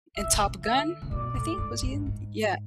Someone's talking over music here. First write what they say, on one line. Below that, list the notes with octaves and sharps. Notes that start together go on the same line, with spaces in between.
And Top Gun, I think was he in Yeah.
D3 E5
C#3
B2
C#3
D3 E5
C#3
B2 D5
A2
G#2
G#2
G#2